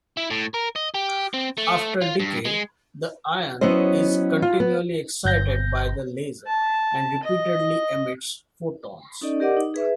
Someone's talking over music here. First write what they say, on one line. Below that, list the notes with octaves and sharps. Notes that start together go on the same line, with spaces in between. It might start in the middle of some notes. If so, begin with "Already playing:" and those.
After decay, the ion is continually excited by the laser and repeatedly emits photons.
E4
A2
A#4
D#5
G4
C4
A3
F4
G2
G#3
F#3 B3 C#4 E4 C5 D#5
F4
B3
G1 G6 A#6
A5
D#5
C#4 D#4 A4 D5 D#5
G4 A#4 D5 D#5 F#5 D6
D#4
G#4 B4 E5